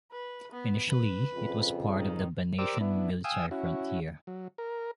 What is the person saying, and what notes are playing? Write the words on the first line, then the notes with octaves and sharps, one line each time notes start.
Initially, it was part of the Banatian Military Frontier.
B4
B3
B4
F2 C#3 F4
D#3
G4 A#4 C5 D5 D6 E6
B3 D4 E4
F5 G5 G#5 D#6 E6
C#4 E4 F#4
F#3
A#4